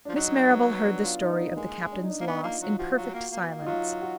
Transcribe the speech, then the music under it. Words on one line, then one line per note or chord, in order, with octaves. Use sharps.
Miss Marrable heard the story of the Captain's loss in perfect silence.
F3 D4
F#3 D#4
B3
D4
F4
D#4
B3
D4
G#3 A#3
D4
D#4
D4
A#3
B3 D#4
A#3 F4
F#3 F4
F3 F#4
F4
F#3
F#4
A#3
A#3
B3
A#3
D#4
F#3 F4
F#4